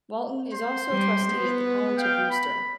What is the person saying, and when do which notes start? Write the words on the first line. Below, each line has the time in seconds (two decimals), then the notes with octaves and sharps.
Walton is also a trustee at The College of Wooster.
0.52 C5 C6
0.91 G3
1.33 B3
1.97 F5 G5
2.30 B5